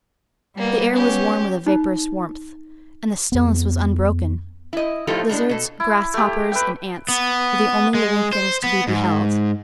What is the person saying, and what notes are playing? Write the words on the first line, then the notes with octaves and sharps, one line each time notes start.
The air was warm with a vaporous warmth, and the stillness was unbroken. Lizards, grasshoppers, and ants were the only living things to be beheld.
G3 A#3 B3
B3 C#4 G4
D#4
F2 B3
E4 D#5
A2 F3 D#4 F4 G4 A4
A2 G#3 D4
B2 A4
E4
A3 G4
B4 E5 G5
B3
G#3
C5
B3
G#2